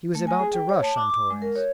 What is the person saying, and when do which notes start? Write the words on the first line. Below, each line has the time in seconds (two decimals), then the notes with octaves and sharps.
He was about to rush on Torres.
0.15 A3
0.27 G#5
0.39 G#4
0.53 G5
0.69 C#5
0.83 A5
0.96 D6
1.10 D6
1.30 G#3
1.42 A#4
1.56 C#5